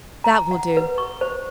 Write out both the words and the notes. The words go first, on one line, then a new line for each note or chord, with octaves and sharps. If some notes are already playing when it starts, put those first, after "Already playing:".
That will do.
A#5
F#5
B4
C#6
C5